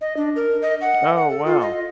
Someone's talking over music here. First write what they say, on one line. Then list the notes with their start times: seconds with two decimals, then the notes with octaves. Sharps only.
Oh, wow.
0.01 D#5
0.17 D4
0.36 A#4
0.62 D#5
0.81 F#5
1.17 F#5
1.30 A4
1.45 F4
1.61 D#5